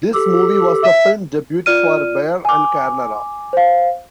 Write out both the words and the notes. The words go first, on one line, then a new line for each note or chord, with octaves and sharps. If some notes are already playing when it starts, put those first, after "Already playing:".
This movie was the film debut for Baer and Carnera.
G4 A4
E5
F4 D5 F6 D#7
G#5 D6
C5 F5